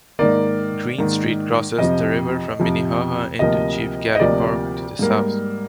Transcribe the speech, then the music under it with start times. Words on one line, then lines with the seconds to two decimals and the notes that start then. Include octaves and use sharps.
Greene Street crosses the river from Minnehaha into Chief Garry Park to the south.
0.19 G#2 D#3 A#3 D5
0.99 G#2 D#3 A#3
1.78 F2 C3 F3 D#5
2.60 F2 C3 F3
3.39 D2 C3 F3 A#3 D#5
4.15 D#5
4.19 D2 C3 F3 A#3 D5
4.99 G#2 G3 A#3